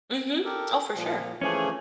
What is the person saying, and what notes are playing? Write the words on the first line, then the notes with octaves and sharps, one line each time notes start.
Mhm. Oh, for sure.
G4 A4 A#4
A#2 F3
E3 F3 A3 C#4 G#4